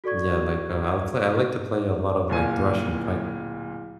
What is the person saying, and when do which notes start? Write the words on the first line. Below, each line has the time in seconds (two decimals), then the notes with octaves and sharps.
Yeah like, uh, I'll play I like to play a lot of, like, thrush and pike.
0.04 F#4 A4 D5 C#6 G#6
2.29 D1 A#2 G#5